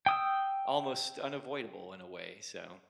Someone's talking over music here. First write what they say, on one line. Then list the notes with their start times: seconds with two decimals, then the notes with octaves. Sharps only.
almost unavoidable in a way, so
0.06 G5 D#6 E6